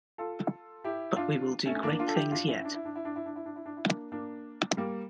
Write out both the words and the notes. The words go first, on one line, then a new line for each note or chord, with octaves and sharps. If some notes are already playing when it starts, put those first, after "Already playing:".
But we will do great things yet!
F4 A4
E4 G4
D4 F4
A3 C#4
C#4
A#3 D4
D4 F4
A4
E4 G4
D4 F4
C#4 E4
D4
E4
D4
E4
D4
E4
D4
E4
D4
E4
D4
E4
A#3 D4
A#3 D4
G3 A#3